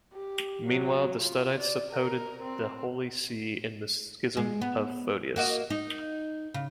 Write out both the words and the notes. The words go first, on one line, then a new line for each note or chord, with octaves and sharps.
Meanwhile, the Studites suppoted the Holy See in the scisim of Photius.
G4
F#3
F4
D5
A#4
C4
G#3
B3
A#3 F#4 D#5
D#4
C#3